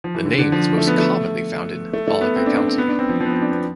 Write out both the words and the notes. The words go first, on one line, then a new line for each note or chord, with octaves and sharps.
The name is most commonly found in Valga County.
F3
E3
D3
D3
F3
A3
B3
A3
A3
A3
B3
C4
D4
D4
C4
B3
D4
C4
F3
F3 B3
C4
D4
B3